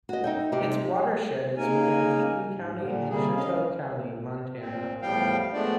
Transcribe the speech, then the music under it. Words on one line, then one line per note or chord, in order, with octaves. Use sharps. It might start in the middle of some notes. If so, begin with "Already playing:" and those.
Its watershed is within Teton County and Chouteau County, Montana.
F#4 D#5
D#4 E5 G5
C3 C4 D#4 G4
C#3 A#3 D#4 A#4 G#5
G#2
A#2 D3
C3 G3 A#3 G#4
C#4 D#5 F5
A#2 C4
E2 A2 F3 G3 F5 G5
F3 G#3 A3 B3 D4 D5